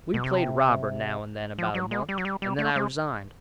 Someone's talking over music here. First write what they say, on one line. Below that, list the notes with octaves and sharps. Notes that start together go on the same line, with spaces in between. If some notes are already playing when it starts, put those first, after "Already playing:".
We played robber now and then about a month, and then I resigned.
B2
C3
F3
F#3
G#3
G3
F#3
G3
G3
A3
G#3